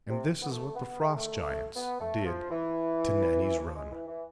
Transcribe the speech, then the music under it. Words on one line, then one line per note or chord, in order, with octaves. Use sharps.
And this is what the Frost Giants did to Nannie's Run.
C3
B3
A3
B3
A3
G#3
A3
B3
A3
F3
E3
E3
F3
G#3
E3
E3